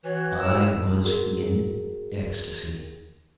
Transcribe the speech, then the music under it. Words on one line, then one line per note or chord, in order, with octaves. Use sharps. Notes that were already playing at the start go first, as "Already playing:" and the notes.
I was in ecstacy.
E3 F#4 C#5
A2 A#4 E6
F#4 G#4 A#4